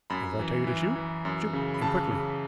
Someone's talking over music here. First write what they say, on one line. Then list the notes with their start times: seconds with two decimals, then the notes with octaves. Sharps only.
If I tell you to shoot--shoot, and quickly.
0.10 F#2 B5
0.39 E3
0.67 E3
0.96 E3
1.25 F#2
1.53 C#3
1.74 B5
1.81 C#3 A5
2.11 C#3